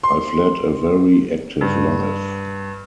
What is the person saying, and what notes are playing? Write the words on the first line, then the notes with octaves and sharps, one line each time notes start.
I've led a very active life.
C6
G2